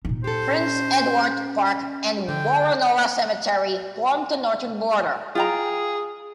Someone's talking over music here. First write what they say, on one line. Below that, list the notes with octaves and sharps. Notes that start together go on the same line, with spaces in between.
Prince Edward Park and Woronora Cemetery form the northern border.
A#2 D#4
G4 A4 C5
C#4
D3 G5
F4 G#4 G5 A#5